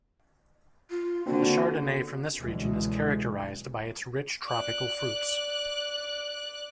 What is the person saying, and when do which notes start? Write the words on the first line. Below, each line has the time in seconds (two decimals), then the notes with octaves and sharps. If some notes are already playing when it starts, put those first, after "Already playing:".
The Chardonnay from this region is characterized by its rich, tropical fruits.
0.90 F4
1.26 D3 A#3 C4 D4 F#4
2.38 C#2 B2 D3 E3 F#3 G#3
4.45 D5 F#6